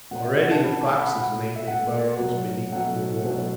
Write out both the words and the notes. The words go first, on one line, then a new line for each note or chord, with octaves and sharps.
Already the foxes made their burrows beneath the walls.
B2 A3 F#5
E5
F#5
E5 A5
B2 A3 F#5 B5
A5 D6
F#5 B5
B2 A3 F#5
E5
B2 A3 F#5
B2 F#3 A3
B2 F#3 A3 F#5
B2 F#3 A3